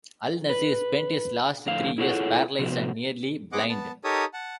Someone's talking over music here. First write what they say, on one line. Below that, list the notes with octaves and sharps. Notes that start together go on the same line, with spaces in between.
Al-Nasir spent his last three years paralysed and nearly blind.
B4
F2 A2 D3 F5
E4 F4 G#4 A4 C#5 F#5
C3 F3 B3 F#4
B3 C4 G#4 D#5 F#5 D6
B3 A5
D#4 G4 A4 A#4 C#5 D#6
F#5 A5